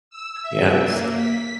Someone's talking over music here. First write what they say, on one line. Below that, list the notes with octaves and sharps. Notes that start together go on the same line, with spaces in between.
you know, it's
E6
E5
A#3
B6